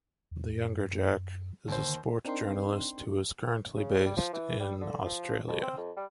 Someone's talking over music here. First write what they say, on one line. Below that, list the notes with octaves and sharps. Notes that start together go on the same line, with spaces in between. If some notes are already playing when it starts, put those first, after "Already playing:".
The younger Jack is a sport journalist who is currently based in Australia.
E2
F#2
D#2 D3 C5
C4 D4 D#4 A#4 G5 C6
C#3
G3
F3
E3
G3
D3
F3
F2
C4
F2
G3